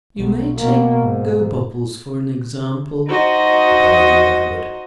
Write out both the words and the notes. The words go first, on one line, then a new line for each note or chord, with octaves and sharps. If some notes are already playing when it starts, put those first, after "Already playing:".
"You may take Gobobbles for an example," replied Mother Hubbard.
B1
B2 A#3
G#2
D#4 F#4 C5 D#5